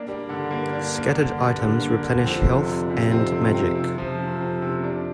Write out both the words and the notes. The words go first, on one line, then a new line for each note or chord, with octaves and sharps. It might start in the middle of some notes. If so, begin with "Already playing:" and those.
Scattered items replenish health and magic.
Already playing: A#3 D4
G3
G2 D3
A#3
D4
A#3
D3
G3
D3
A#3
D3
F2 C4
C3
G3
C3
C4
C3
C4
C3
F3
F2 C3
C4
C3
D4